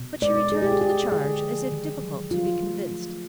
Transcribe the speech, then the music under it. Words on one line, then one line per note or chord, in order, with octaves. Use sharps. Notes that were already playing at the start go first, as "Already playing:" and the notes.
But she returned to the charge, as if difficult to be convinced.
Already playing: B2
G#3 D5
B2 G#4
G4
G#4
G#3 G4
G4
D3 G#4
F3
D#3
F#3
F3 F4
A3
F3